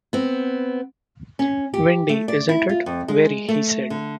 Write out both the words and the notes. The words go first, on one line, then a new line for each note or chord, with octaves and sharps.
Windy, isn’t it?’ ‘Very,’ he said.
B3 C4
C#4
G4
A3
D5
E4
F4
F2
G#3
A3
D3